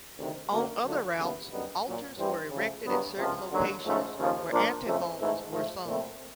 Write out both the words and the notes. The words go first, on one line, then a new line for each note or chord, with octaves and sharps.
On other routes, altars were erected at certain locations where antiphons were sung.
D2 C3 D#3
F#2 D3 F#3 A#3
D3 F#3 A3 D4 F4
D#2 C#3 F#3 B3 E4
F#2 D3 G3 B3 D#4
A#2 F#3 A#3
G2 E3 G3 C4
C#3 F3 A3
G2 D3 F#3 B3
C#2 C3 F3
D#2 D3 F#3
G#2 F3 A3 C#4
D#2 C#3 F3
A#2 F3 A#3 D4
F2 C#3 F3 A3
G#2 E3 A3
G#2 F3 A3
A#2 F3 A3 C4